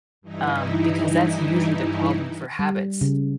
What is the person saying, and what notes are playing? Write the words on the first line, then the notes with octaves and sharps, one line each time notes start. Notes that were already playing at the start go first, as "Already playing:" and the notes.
Um, because that's usually the problem for habits,
G2 E3 D#4 E4
G3
C#3